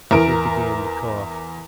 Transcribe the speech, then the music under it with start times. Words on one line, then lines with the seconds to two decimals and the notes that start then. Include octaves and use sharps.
Cooper began to cough.
0.11 E2 A#4 D7